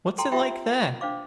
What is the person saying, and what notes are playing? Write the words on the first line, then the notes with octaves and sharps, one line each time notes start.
What's it like there?
A4 G5 A5 A#5 C6
F4 G4 E5 G5 B5
D4 C5 F5 D6